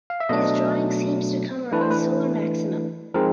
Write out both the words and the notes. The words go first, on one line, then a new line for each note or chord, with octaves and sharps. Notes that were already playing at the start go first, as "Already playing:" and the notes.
His drawing seems to come around solar maximum.
F5
E5
B2 F#3 A3 D4 D#5
E3 A3 D4 B4
C5
B4
F3 G#3 C4 D#4 A#4